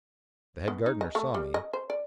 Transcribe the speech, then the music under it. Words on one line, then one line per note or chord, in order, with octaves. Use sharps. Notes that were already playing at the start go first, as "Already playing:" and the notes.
"The head gardener saw me?"
B3
D#4
D#5
A3
G3
D#5
C5
D5